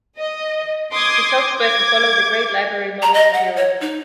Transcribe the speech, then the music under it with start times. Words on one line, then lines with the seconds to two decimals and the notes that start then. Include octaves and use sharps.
His hopes were to follow the great library models of Europe.
0.17 D#5
0.93 C6 D6 D#6 G#6
1.58 D6 G#6
3.02 A#5
3.14 D#5
3.33 F#5
3.57 C#5
3.81 D#4